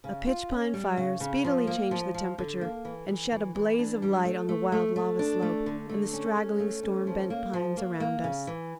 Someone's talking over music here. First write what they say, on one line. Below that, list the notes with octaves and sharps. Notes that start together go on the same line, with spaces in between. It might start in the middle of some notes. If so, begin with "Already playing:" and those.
A pitch pine fire speedily changed the temperature and shed a blaze of light on the wild lava-slope and the straggling storm-bent pines around us.
C#3
F4
C#4
G3
C#3
C#3
F3
A#3
F3
F3
D3
A#3
E3
E3
E3
E3
D4
G3
A3
A3
A3
A3
D4
A3
D3
A3
C#4
C#4
A3
C#4
F3
A#3
F3
A#3
A#3
C#3
E3